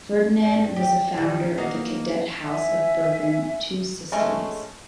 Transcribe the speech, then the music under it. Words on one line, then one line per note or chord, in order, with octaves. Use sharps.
Ferdinand was the founder of the cadet House of Bourbon-Two Sicilies.
G2
G4
D#3 G3
C#4
A#3 D#4 F#4
E5 G#5
G#3 A3 C#4